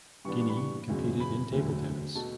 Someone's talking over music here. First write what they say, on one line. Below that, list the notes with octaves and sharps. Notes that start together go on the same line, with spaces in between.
Guinea competed in table tennis.
G2 E3 G3 B3 D4 C#6
C#6
B5
C#6
F#1 E2 C#3 F#3 B3
B5
E1 D2 D3 F#3 A3
B2 A3 A5